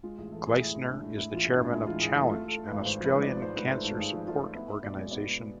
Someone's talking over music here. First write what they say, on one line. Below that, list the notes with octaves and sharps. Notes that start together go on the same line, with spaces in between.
Gleisner is the chairman of Challenge, an Australian cancer support organisation.
G#3 F4
A1 G#4
E3 A4
E3 G#4
A2 E4
A2
G#3 D4
A2
A2 E4
E3 F4
A2
D4
A1
D4
G#3 E4
E3 F4
A2 G#4
A1 A4
A3 F4
A3 A4
A3
G#1 B4
G#1 C5
F3 B4
G#2
F3 D5
G#2 C5
G#2 B4
A3 C5
G#1 A4
G#1 G#4
F3
A3 F4
A3
B3 E4
B3
B2 D5
G#3
B3 D5
B3